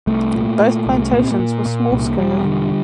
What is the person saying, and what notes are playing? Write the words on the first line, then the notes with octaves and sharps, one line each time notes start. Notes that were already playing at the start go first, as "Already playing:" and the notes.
Both plantations were small scale.
C2 A3
A#2
A#2
C2
A#2 A#3
C4
A#3
A#2
A#2
C2
E1 G3
D3